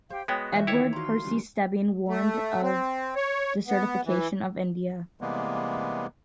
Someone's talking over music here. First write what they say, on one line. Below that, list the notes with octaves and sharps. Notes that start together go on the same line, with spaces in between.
Edward Percy Stebbing warned of desertification of India.
G4 C5 F5 G5
G#3 B3 F#4 C#5 D#5 F#5 G5
B1 E2 E3 C5 E5
D#3 E3 E4 A#4 C#5 D5 G5
F4 F#4 A#5 C6
C#3 E3 G3
A3
C4
C#5
B3
E3
C3 E3 G3 G#3 A#3 B3